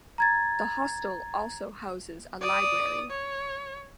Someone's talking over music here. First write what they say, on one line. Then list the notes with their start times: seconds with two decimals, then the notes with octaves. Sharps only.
The hostel also houses a library.
0.18 A#5 G#6 A6
2.41 D5 D#6
3.10 C#5